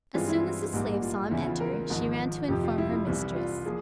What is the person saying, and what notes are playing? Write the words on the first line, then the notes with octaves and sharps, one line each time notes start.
As soon as the slave saw him enter, she ran to inform her mistress.
G2 E3 G#3 C4 F4
E4
A#1 G#2 G3 A#3
F4
E2 C#3 E3 E4
F4
A#4
G#1 G#2 F3
F2 C3 F3 G4
F4
E4
E4
C2 C3 E3 G3
F4
F3 A#3 G#4